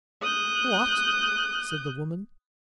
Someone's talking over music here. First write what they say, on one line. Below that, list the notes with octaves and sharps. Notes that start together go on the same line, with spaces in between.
"What?" said the woman.
D#6 F#6 G6